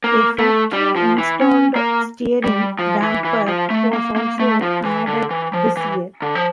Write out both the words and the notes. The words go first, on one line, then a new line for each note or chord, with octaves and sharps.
A factory-installed steering damper was also added this year.
A#3
A3
G3
F3
E3
C#4
A#3
G3
F3
E3
E3
F3
A3
A#3
A#3
A3
F3
E3
D3
E3
F3
E3
D3
F3